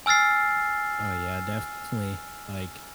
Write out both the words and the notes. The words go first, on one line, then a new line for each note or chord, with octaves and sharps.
Oh, yeah, definitely. Like,
G#5 E6 F6 A6 C7